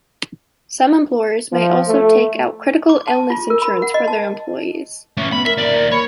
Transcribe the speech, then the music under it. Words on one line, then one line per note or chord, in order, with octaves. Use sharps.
Some employers may also take out critical illness insurance for their employees.
F3
A3
D6
A5
F4
A#4
B5
F#5
D#5
A5
A3 C#4
B3 B5
A#4 E5
D#2 D5
C#5 B5